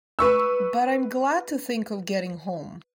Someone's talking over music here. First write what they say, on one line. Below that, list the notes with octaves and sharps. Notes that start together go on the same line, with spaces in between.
But I’m glad to think of getting home.
B4 C#6 E6